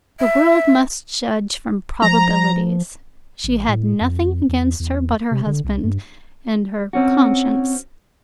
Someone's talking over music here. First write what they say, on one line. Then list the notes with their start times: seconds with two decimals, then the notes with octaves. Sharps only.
The world must judge from probabilities; she had nothing against her but her husband, and her conscience.
0.20 E5
2.02 F3 A#5
3.43 A1
3.68 A2
4.01 F2
4.49 E2
4.79 E2
5.31 C3
5.46 D3
5.64 C2
5.84 G2
6.93 C4 C#4 F#4